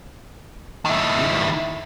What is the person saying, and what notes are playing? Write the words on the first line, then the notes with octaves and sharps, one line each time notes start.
you know,
D#3 E4